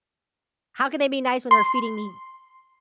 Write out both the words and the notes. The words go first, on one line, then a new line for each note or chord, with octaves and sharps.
How can they be nice when they're feeding me
C6